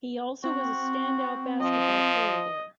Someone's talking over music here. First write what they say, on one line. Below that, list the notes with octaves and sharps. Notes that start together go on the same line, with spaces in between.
He also was a stand out basketball player there.
C4 F#4
F3 D#5
D#5